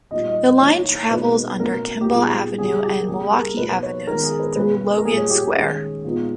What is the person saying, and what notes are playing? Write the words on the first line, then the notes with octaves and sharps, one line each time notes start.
The line travels under Kimball Avenue and Milwaukee Avenues through Logan Square.
A#2 G3 A#3 D#4 D#5
D#5
E3 A#3 D#4 C#5
B2 G#3 B3 D#4 B4
B2 A#3 C#4 A#4
G4
A#2 G3 B3 D#4 G#4
C#3 G3 C#4 G#4
G4
A#4
C#3 G3 A#3 G#4
A#4
B2 A#3 D#4 B4
C#5
D#3 G#3 B3 D#4 A#4
G#4
B4
B2 A#3 C#4 B4
A#4
A#2 G3 A#3 G#4
C#5
G4
G#4
D#3 G#3 C#4
A#2 G#3 B3 D#4